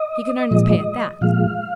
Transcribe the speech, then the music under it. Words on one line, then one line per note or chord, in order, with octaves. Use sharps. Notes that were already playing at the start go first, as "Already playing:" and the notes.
He could earn his pay at that.
Already playing: D#5
A#2 F3 G#3
A#2 F3 G#3 F5